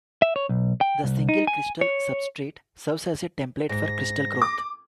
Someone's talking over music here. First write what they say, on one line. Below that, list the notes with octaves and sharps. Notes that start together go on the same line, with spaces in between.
The single crystal substrate serves as a template for crystal growth.
E5
C#5
B1
G5
C2
D#4
G#5
C#5
G#2 A#6
D6